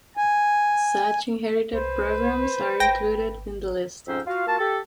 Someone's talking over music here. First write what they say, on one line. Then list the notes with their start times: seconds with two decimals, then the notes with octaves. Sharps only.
Such inherited programmes are included in the list.
0.17 G#5
1.72 C2 B4 C5
2.80 G#1 G5 A#6
4.07 F2 G#2 C#4 C5 G5 E6
4.27 F4 F#4 F5
4.46 A#3 F4 F#4 F5 A5
4.59 G4 A4